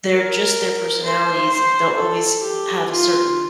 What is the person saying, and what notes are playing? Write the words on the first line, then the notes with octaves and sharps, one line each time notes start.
they're just their personalities, they'll always have a certain,
A#4
C5
C5
A4
G4
F4